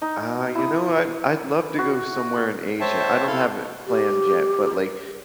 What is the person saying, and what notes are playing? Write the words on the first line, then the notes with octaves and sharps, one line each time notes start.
Uh, you know what, I'd love to go somewhere in Asia. I don't have it planned yet, but like,
D#4
E4 D#6
F#4
C5 C#5 E5 G5 A5
E4 A4 F5 C6
G4